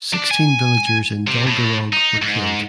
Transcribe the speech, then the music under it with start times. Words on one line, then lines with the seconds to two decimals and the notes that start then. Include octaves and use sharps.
Sixteen villagers in Dolgarrog were killed.
0.14 D4
0.31 G#5
1.27 C3
1.47 A2
1.93 D#4
2.22 G#2